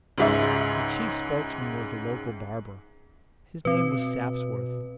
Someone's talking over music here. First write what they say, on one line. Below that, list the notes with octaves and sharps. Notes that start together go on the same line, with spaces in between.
The chief spokesman was the local barber; his name was Sapsworth.
C#2 G#2 E5
B2 C4 B4